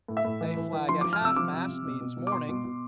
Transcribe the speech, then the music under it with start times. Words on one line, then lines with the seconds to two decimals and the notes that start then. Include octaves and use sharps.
A flag at half-mast means mourning.
0.08 A2
0.17 E5
0.25 A2
0.41 E3
0.56 E3
0.73 E3
0.89 F3 C6
1.01 F3 D6
1.13 F6
1.21 C3 E6
1.36 F3 D6
1.53 C3
1.69 C3
1.85 B2
2.01 B2
2.17 B2
2.27 D6
2.32 B2 C6
2.49 B2
2.65 B2